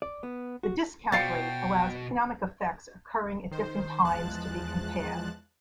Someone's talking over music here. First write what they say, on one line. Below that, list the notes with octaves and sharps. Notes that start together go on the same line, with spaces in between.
The discount rate allows economic effects occurring at different times to be compared.
D5
B3
F#4
B2 F3 D5 F5 G5 A6 C7 C#7
D#3 C5
E2 F3 G#3 A5 F#6 A6